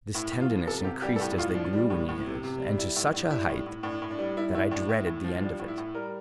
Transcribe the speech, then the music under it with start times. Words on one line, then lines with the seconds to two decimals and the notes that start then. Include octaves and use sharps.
This tenderness increased as they grew in years, and to such a height, that I dreaded the end of it.
0.14 A2 E4
0.31 A2
0.41 F4
0.50 F3
0.67 C3 A4
0.84 C3 G4
1.02 G3 G4
1.16 A4
1.20 A2 G4
1.38 A2 F4
1.55 F3 D4
1.73 G3
1.90 A2
2.09 A2
2.26 C3
2.44 C3
2.60 G3
2.78 G3 E4
2.96 A2 E4
3.13 A2 D4
3.30 G3 E4
3.49 A2
3.66 A2
3.83 A2 D4
4.02 A2
4.11 D4
4.19 G3
4.37 G3 E4
4.54 A2 E4
4.71 A2 D4
4.89 A2 E4
5.06 A2
5.24 F3
5.42 G3 D4
5.59 A2
5.68 E4
5.78 A2
5.95 G3 A#4